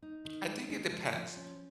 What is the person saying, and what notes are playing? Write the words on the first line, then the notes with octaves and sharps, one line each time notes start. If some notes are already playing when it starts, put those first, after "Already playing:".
I think it depends,
D#4
D#3
G#3
G#3
F3
F3
C#4